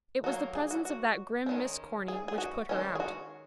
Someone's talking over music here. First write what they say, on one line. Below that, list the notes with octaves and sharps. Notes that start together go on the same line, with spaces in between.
It was the presence of that grim Miss Corny which put her out.
D#3 F#3 A#3 F#4
G#4
F#4
F#4
D#3 G#3 C#4
G#4
G#4
F#4
D#3 G#3 C#4
G#4
F#4